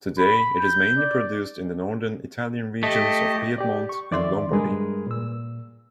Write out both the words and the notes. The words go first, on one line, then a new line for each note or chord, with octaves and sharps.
Today, it is mainly produced in the northern Italian regions of Piedmont and Lombardy.
B5
G6
D5
A3 G4 D#5
G4 D5
C#6
F2 D#3 D5 E5 C6
G2 G#3 G#4 A#4 B4
A#2 E6